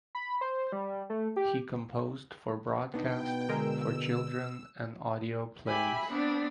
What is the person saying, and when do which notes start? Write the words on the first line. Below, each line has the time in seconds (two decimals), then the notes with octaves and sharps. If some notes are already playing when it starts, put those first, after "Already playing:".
He composed for broadcast for children and audio plays.
0.15 B5
0.41 C5
0.72 G3
1.10 A3
1.36 G4
2.94 B2 B3 D4 D#4 G5
3.49 D3 G#3 A#4 E6 D7
5.67 G4 E5 G#5 B5
6.05 B3 C4 D4